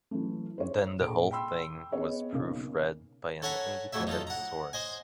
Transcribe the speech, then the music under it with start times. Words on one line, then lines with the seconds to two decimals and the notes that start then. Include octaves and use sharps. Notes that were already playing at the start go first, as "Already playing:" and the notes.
Then the whole thing was proofread by an independent source.
0.11 E3 F#3 A3
0.58 C5 C#5
1.00 A#1 G#4 A4 D7
1.31 G5 B5 C6 E6
1.92 B3 G#4 C#5 D#5
2.32 B1 C#3 A#3
3.42 A4 C#5 F#5 G#5 A#5 B5
3.93 F2 F#3 A3 E4 E5
4.07 D#4 F4 A4
4.27 F#5 A#5
4.73 C5 D#5 G#5